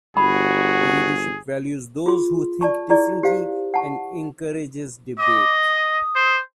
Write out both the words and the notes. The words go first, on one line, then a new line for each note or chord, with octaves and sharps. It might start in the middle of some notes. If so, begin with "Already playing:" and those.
The leadership values those who think differently and encourages debate.
G1 F#4 G#4 B5
F4 G#4 C6
D5 A5 C#6
E4 G#4 D5
G4 C5 F5
F#5 A5 C#6
D#5 D6
D#6
C5